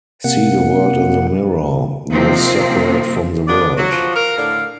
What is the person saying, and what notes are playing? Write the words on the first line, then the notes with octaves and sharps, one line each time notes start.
See the world in the mirror, you're separate from the world.
C3 A#3 F#5
C3 D#3 F3 F#3 A#3 C4
C#3 B3 D4 D5
F#3 F#4
F3
A#4 F5
A2 D3